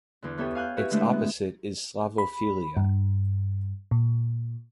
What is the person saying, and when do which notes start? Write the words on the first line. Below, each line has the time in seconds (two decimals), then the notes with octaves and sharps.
Its opposite is Slavophilia.
0.22 E2 D3
0.38 E3 B3 G4 A4 C#5
0.55 F5 G#5 F#6 G6
0.77 E4 F#4 G4 B4 C#5
0.90 D3 G#3 A3 D4 E4
1.13 B3
2.18 B5
2.77 G2
3.91 A#2